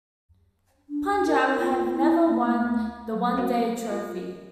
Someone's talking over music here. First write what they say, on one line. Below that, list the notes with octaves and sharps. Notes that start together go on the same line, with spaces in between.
Punjab have never won the one-day trophy.
D4
A#4
F4
E4
A#3
A3
F#3
F#4 A#4 C5 F5 F#5
F4 A#4